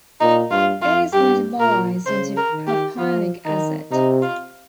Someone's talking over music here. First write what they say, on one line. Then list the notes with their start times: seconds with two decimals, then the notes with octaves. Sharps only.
It is metabolized into propionic acid.
0.21 A#2 D#4
0.51 G2 F4
0.82 F2 F4
1.13 G2 G4
1.60 A#2 A#4
2.06 C#3 C5
2.37 A#4
2.52 D#3
2.67 G4
2.98 F3 F4
3.46 D#3 D#4
3.92 C3 D#4
4.22 F4